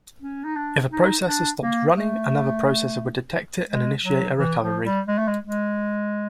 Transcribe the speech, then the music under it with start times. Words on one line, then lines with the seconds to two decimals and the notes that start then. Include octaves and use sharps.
If a processor stopped running, another processor would detect it and initiate a recovery.
0.22 C#4
0.45 D#4
0.56 D4
0.91 D#4
1.27 D4
1.61 A#3
1.96 A3
3.69 G#3
4.04 F#3
4.39 E3
4.62 F3
4.85 G3
5.08 G#3
5.18 A3
5.28 G#3
5.43 G#3